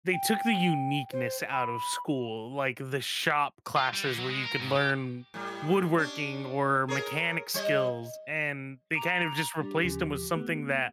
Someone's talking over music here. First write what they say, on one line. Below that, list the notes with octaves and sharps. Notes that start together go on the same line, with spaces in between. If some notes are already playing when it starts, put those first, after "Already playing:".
they took the uniqueness out of school, like the shop classes where you could learn woodworking or mechanic skills, and they kind of just replaced them with something that
G5
C5
B5
F4
G3
D3
F#3
G#3
A#4
G#2
G4
A2 G3
C#4 D4
G#4 A#4 C#5
G3 C#5 D#5
A#5 D6
G3 D4 G4
D#2 C#3 F3
A3 B3